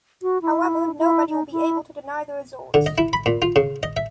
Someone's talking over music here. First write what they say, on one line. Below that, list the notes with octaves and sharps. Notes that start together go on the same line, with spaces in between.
However, nobody will be able to deny the results.
F#4
E4
E4
D#4
E4
D3
D#5
E4
B5
A#2
F4
C#3
D#5
E5